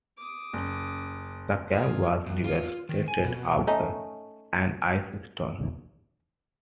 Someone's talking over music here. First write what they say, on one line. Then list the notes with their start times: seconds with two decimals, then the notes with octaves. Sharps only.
The camp was devastated after an ice storm.
0.18 D6 D#6
0.53 F#1
1.71 F4 G#4
2.26 F#2
2.44 F4
2.89 D#3
3.08 G#5
3.24 B2
3.67 A3 C#4 D#4